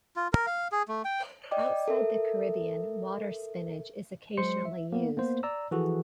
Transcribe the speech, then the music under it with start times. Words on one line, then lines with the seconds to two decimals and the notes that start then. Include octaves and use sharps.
Outside of the Caribbean, water spinach is occasionally used.
0.16 F4
0.33 A#4
0.47 F5
0.72 G#4
0.88 A3
1.05 G5
1.51 D5 D#5 G5 D6
1.88 A4 A#4 E5
4.37 F#3 G#3 C5 C6 C#7
4.65 E5
4.93 A#3 B3
5.17 A#3 B3 C5
5.43 D5 A#5 E6
5.71 E3 F3 F#4 G#4 A4